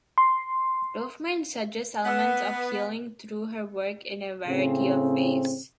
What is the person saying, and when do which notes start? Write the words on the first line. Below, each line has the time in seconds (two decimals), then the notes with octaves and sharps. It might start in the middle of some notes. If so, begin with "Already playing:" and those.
Dorfman suggests elements of healing through her work in a variety of ways.
0.18 C6
2.05 B3 F#5 E6
4.46 A2 C#3 C4